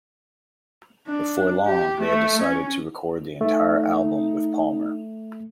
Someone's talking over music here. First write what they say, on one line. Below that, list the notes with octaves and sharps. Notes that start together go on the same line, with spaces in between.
Before long, they had decided to record the entire album with Palmer.
D4
G4
A3
C#4
A3 D#4